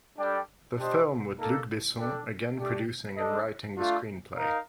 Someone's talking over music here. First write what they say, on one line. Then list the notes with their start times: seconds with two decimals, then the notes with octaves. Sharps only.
The film with Luc Besson again producing and writing the screenplay.
0.18 G3 D4 A4 D5 G5
0.77 D4 G4 C5 D#5
1.37 A#3 D#4 A4
1.98 D4 A4 D5 G5
2.57 A3 D4 G4 D5
3.17 D4 A4 D#5
3.77 A3 D4 F4
4.37 D#4 A#4 F5